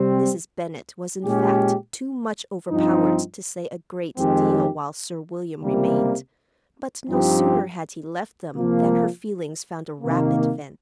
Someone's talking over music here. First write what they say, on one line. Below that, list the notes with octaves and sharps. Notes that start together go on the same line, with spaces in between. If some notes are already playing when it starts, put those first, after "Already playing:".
Mrs. Bennet was in fact too much overpowered to say a great deal while Sir William remained; but no sooner had he left them than her feelings found a rapid vent.
Already playing: C3 G3 C4
A#2 G#3 C#4 G4
G2 F3 C4 D#4
F2 D#3 G#3 C4 G4
C#2 C3 G3 A#3
G2 F3 C4 D#4 G4
C3 F3 A#3
C3 D#3 A#3